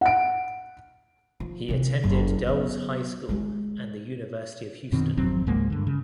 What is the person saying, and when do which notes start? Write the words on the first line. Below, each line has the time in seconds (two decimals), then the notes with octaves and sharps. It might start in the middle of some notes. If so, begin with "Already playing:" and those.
He attended Dulles High School and the University of Houston.
0.01 F#5 D7
1.40 F3
1.68 C3 E3
2.04 F#1 F#2
2.47 F#3 B3
3.29 G#3 A3
4.92 F#2 B2 D#3 C4
5.17 G#1 F2 F#3 C4
5.47 C#2 G#2 G#3 A#3
5.70 G2 D3
5.87 C#3